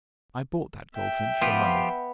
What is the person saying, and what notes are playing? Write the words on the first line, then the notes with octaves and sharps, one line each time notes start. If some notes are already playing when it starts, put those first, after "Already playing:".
I bought that goldfinch for money.
E5 G5
F3 B3 F4 G4